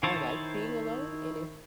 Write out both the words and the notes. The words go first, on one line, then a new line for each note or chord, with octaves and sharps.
I, like, being alone, and if
D#3 E4 C5 C#5 A5